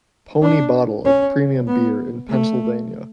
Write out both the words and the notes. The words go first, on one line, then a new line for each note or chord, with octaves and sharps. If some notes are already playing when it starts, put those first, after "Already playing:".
Pony Bottle of Premium Beer in Pennsylvania.
D4
C#4
B3
A3